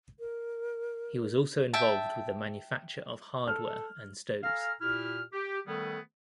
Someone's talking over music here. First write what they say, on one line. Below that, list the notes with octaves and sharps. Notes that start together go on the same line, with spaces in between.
He was also involved with the manufacture of hardware and stoves.
A#4
E5 G5 A5
A4 F6
A4 F5 G#5 A#5 F6
A#2 E4 G4 F6
G4
D#3 G3 A3 B3 G#4 A4